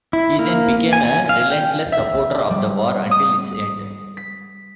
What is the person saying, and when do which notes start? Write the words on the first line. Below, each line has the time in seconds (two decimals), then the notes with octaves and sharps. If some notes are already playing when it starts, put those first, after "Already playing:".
He then became a relentless supporter of the war until its end.
0.13 E4
0.39 A#3
0.93 G#5
1.05 G#5
1.29 F5
1.50 G5
1.92 E5
2.50 G3
3.11 D#6
4.17 B6